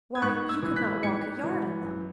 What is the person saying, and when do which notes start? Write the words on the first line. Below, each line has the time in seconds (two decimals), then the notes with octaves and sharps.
'Why, you could not walk a yard in them!'
0.15 G#6
0.22 G#2 C#6 F#6
0.49 E6 G#6
0.63 E3
0.76 F#6 B6
1.03 G#2 G#6 C#7
1.44 E3
1.84 F#2